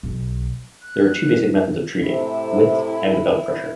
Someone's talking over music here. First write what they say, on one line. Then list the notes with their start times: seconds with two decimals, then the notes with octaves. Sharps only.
There are two basic methods of treating: with and without pressure.
0.03 B1
0.82 F#6
2.06 A2 C3 E4